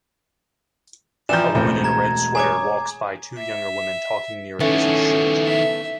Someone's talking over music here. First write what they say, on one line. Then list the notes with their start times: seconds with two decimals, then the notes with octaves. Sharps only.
A woman in a red sweater walks by two younger women talking near a busy street.
1.29 E3 F3 D5 G5 A#5 G6 E7
1.55 E1 C#2 A3 C4
1.84 A#5 G#6
2.35 G#4 C#5 G#5 A#5 D6
3.38 E5
4.60 D#3 A3 B3 C#4 E4
5.46 E5